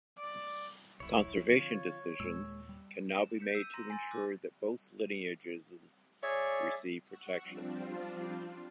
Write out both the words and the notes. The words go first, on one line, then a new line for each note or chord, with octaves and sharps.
Conservation decisions can now be made to ensure that both lineages received protection.
D5
D#1 B1 E4 C#5
D3 F3 C4 F4 C#5
D#2 A#2 G#3 E6
G3
E7
G6 B6 C#7 E7
E6 D#7
A#5 C6 A#6
G#5 C6 A6
D6 E6 F#6 A6
G#4 C#5 D5 E5
F#5 C#6 E6
F3 G3 C4 D4 F4